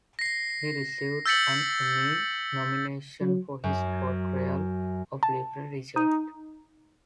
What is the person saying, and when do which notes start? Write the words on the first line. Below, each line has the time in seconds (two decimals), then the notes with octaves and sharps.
He received an Emmy nomination for his portrayal of Little Richard.
0.19 A#6 C7
1.26 E6 G6 A6 B6 C#7 F#7
3.21 F#3
3.64 F#2
5.23 A5
5.96 D#4